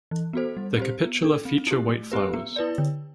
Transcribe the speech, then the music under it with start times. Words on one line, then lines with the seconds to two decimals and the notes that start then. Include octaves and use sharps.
The capitula feature white flowers.
0.11 E3
0.33 B3 F#4 A4 C5
0.57 G3
0.78 C4 G4 C5
1.00 B3
1.22 D4 A4
1.45 C4
1.67 E4 G4
1.89 A3
2.12 C4 G4 B4
2.34 B3
2.56 E4 B4 D5
2.78 D3